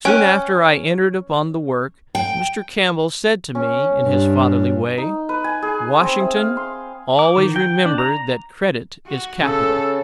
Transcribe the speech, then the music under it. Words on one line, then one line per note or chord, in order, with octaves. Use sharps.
Soon after I entered upon the work Mr. Campbell said to me, in his fatherly way: "Washington, always remember that credit is capital."
C#4 G5 F#6 D#7
G5
C#4
G2
D#4
B4
G#5
G#4
C4
E5
F5
C6
D6
D#3
G5
D4
A#5
F#4
C#3 A4